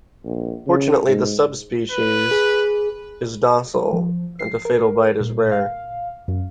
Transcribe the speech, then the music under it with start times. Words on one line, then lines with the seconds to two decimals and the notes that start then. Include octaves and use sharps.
Fortunately the subspecies is docile and a fatal bite is rare.
0.25 A#1
0.67 C#3
1.08 G#2
1.92 B4
2.31 G#4
3.93 F3
4.39 C7
4.65 A#4
5.20 A#2
5.52 F5
6.28 F#2